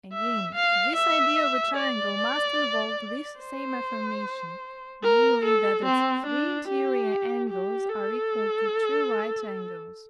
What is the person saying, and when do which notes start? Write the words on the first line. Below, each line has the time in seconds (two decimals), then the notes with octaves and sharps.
Again, this idea of a triangle must involve this same affirmation, namely, that its three interior angles are equal to two right angles.
0.13 E5
0.55 F5
0.95 E5
1.76 D5
3.40 C5
5.03 A#4
5.45 A4
5.85 C4
6.26 D4
6.68 G4
7.50 G4
7.89 A4